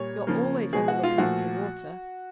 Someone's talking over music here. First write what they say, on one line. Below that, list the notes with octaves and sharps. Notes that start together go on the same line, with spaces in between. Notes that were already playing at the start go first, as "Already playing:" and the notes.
"You're always on the lookout for water."
Already playing: A#2 G3 C#5
C#3 F3 A#3
B2 G#3 G#4
F#4
F4
A#2 F3 A3 F#4